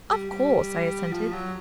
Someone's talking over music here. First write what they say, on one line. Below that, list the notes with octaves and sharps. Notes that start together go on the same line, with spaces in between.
'Of course,' I assented.
G3
G3
F3
F#3